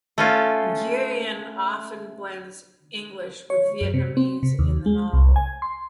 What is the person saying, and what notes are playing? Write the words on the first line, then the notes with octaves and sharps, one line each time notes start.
Nguyen often blends English with Vietnamese in the novel.
A3 C#4 F4
C#5
F#2
C3
C4
C3
D#2
G#3
C2
G#5
C6